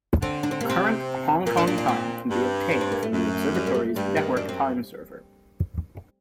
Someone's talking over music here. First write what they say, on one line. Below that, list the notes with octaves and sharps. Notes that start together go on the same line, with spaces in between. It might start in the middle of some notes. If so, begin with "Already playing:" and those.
Current Hong Kong Time can be obtained from the Observatory's Network Time Server.
D3 C4
D4
C4
C3 A#3
C4
A#2 A#3
D4
D4
D4
C4
G2
D4
C4
A#3
A3
F#2
G3
A#3
A3
G2 G3
D#3
F#2 D4
C4